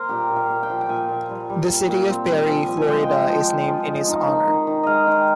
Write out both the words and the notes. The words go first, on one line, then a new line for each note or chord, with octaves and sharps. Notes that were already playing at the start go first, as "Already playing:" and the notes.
The city of Perry, Florida is named in his honor.
Already playing: A#3 A#4 C5
A#2 G4
A#2
F5
A#2
G5
F3
G5
A#2 G#5
A#2
G3
G3
A#2
A#2
C4
G3
F3 G#5
F3
G#5
G#3 G5
F3
F3 G5
F3
F3
G#3
D#4
D#3
D#3
D#3
G#3 D#5 F5
D#3 G5